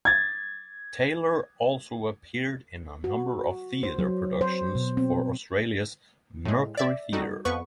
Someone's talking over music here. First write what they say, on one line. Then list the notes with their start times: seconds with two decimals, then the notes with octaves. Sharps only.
Taylor also appeared in a number of theatre productions for Australia's Mercury Theatre.
0.05 G#6 A6
3.04 F#4
3.83 C5
3.99 F#3
4.41 C5
4.75 B2
4.97 C4
6.45 A2 G#3
6.77 D5 E5
7.13 G3 D#4 F#4 A4
7.45 F2 B3 B4 C#6